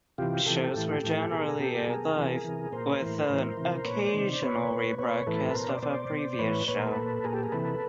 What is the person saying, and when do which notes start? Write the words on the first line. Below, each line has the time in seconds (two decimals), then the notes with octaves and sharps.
Shows were generally aired live, with an occasional rebroadcast of a previous show.
0.18 C3 E3 F4 G4
0.46 C3 E3 G4 A4
0.75 A2 E3
1.04 A2 E3
1.31 B2 G#4 A#4
1.59 B2 G4 A4
1.87 B2 G#4 A#4
2.16 C3 E3
2.44 C3 E3
2.72 A#2 A#4 C5
3.01 A2 E3
3.29 A2 E3
3.57 C3 E3
3.85 A#2 B4 C#5
3.99 C5 D5
4.13 C3 D#3
4.42 B2 B4 C#5
4.71 A#2
4.98 B2 B4 C#5
5.26 A2 E3 A4 B4
5.55 B2 A#4 C5
5.69 C5 D5
5.83 B2 C5 D5
6.12 B2
6.39 A2 E3 B4 C#5
6.68 A#2 B4 C#5
6.77 A#4 C5
6.86 A4 B4
6.96 A#2
7.24 A#2 G#4 A#4
7.33 G4 A4
7.43 G#4 A#4
7.52 C3 E3 A4 B4